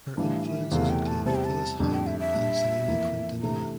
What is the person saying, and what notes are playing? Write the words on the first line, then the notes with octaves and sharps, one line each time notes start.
Her influences include Phyllis Hyman and Selena Quintanilla.
A2 E3 G3 D4 F5
E5
E2 C3 E3 A3 F5
G5
A5
E2 C3 G3 C4 A5
G5
A5
F2 D3 G3 D4
G5
E5
E5
A#2 G3 D4
F2 E3 A#3 E4
C3 E3 A3 D4 A#5